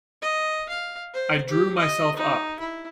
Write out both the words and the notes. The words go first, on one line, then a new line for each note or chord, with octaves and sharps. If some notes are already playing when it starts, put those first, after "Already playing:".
I drew myself up.
D#5
F5
C5
G4
D#5
D#4
E4